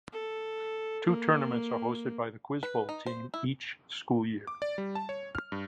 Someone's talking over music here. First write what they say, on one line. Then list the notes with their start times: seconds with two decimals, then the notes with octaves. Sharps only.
Two tournaments are hosted by the Quiz Bowl Team each school year.
0.12 A4
1.07 A#3
2.63 B4
2.89 D#4
3.06 C5
3.34 E4
4.47 D6
4.62 D5
4.78 G3
4.95 A5
5.09 C#5
5.35 F6
5.52 G2